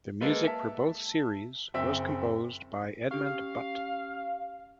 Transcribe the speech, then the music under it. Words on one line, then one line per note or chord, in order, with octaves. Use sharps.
The music for both series was composed by Edmund Butt.
G#3 A#3 A4 B4
E5 A5
F#1 C4 E5 E6
C#4 G4 F5 C#6